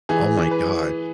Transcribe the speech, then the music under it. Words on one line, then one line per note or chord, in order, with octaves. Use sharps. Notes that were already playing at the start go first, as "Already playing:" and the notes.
Oh my gosh.
E3 G#4
E3
B4